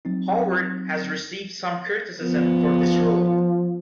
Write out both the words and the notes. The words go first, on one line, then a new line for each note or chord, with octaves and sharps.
Howard has received some criticism for this role.
F#3 C4 D#4
F3 B3